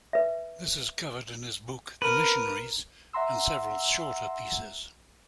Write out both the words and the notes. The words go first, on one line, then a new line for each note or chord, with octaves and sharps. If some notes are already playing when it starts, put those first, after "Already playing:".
This is covered in his book "The Missionaries", and several shorter pieces.
B4 E5
A#4 B4
E5 F#5 A#5 C6 E6